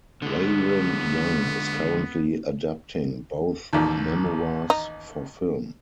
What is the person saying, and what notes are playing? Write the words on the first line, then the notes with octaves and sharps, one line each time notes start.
Leiren-Young is currently adapting both memoirs for film.
D3 G#3 B3
A1 D#2
D#4